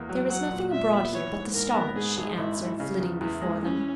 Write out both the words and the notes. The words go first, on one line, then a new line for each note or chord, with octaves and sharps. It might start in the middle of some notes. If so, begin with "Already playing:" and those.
"There is nothing abroad here but the stars," she answered, flitting before them.
Already playing: E2 A#3
F#3
F#3 F#5
A#2
A#2 E5
B3
E3 C#5
G#2
G#2 A#4
B3
G#2 G#4
G#1
G#1 E4
E3
C#3
E2
E2 E4
G#3
E3 C#4